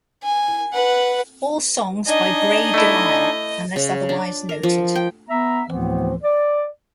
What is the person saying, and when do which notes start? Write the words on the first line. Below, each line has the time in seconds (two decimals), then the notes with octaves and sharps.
All songs by Grey DeLisle, unless otherwise noted.
0.23 G#5
0.73 B4 F#5
2.07 D4 D#4 D#5 G#5
2.74 A3 E4
3.76 C#3
4.09 D4
4.49 A#4
4.63 F3
4.95 G5
5.29 B3 E5 A#5
5.68 D2 A2 E3 F3 B3 C4
6.22 D5